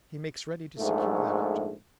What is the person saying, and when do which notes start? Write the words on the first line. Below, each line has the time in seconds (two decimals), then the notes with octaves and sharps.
He makes ready to secure that object.
0.78 A#1 G#2 A3